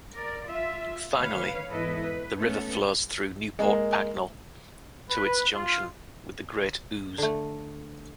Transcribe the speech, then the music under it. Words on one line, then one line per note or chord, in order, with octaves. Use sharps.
Finally, the river flows through Newport Pagnell to its junction with the Great Ouse.
A#4 D5
F4 E5
D2 D#3 B4 C#5 F5
E2 G#2 E4 A4 B4 D#5
B4
A3 B3 C#4 A4
G#3 A#3
B4
F4
D3 A3